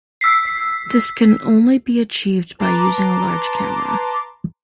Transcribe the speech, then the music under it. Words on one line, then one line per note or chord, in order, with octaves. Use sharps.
This can only be achieved by using a large camera.
E6 B6 C7
B4 A5 A#5 C6 D6